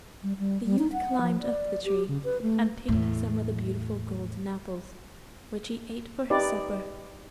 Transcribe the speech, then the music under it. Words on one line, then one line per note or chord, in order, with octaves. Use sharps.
The youth climbed up the tree, and picked some of the beautiful golden apples, which he ate for his supper.
G3
G3
G3
D#4
F#5
F3
D5
G4
C#3
B4
A3
E2 A2
D#4 G4 B4 D5